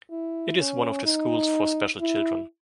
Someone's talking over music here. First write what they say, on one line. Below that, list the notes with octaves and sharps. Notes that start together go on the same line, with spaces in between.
It is one of the schools for special children.
E4
C#4
D#4
E4